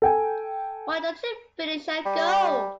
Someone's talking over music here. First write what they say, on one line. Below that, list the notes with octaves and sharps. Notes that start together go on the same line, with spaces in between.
Why don't you finish and go?
A4 G5 G#5
G3